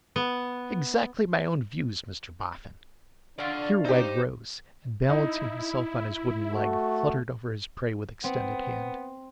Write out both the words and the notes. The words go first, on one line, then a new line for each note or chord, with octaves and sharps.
Exactly my own views, Mr Boffin.' Here Wegg rose, and balancing himself on his wooden leg, fluttered over his prey with extended hand.
B3
C#4 D4 F4 D5 F#5
D#4 G4 C5
D#4 E4
A3 F#4
B3 C4